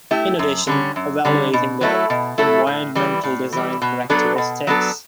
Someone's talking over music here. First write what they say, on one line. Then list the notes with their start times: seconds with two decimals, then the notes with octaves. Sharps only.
In addition, evaluating their environmental design characteristics.
0.11 A3 E4 G4
0.39 F#2
0.67 D3 G3 C#4
0.96 F#2
1.25 D3 G3 C#4
1.53 B2
1.81 F#3 A3 E4 A4
2.10 B2
2.38 F#3 A3 E4 A4
2.67 A2
2.95 E3 G3
3.23 A2
3.52 E3 G3
3.82 B2
4.10 F#3 B3 D4 A4
4.38 B2
4.67 F#3 B3 D4 A4